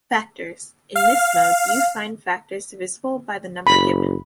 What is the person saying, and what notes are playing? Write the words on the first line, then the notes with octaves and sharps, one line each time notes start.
Factors - In this mode you find factors divisible by the number given.
F5
F#1 B5